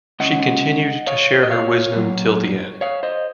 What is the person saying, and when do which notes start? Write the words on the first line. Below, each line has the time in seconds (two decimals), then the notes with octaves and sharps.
She continued to share her wisdom till the end.
0.20 C#3 G#3 C#4 D#5 F#5
1.07 C#5 F5
1.43 D#5
1.51 C#5 F5
1.94 A#2 F#3 A#3
2.81 C#5 F5
3.03 C5 D#5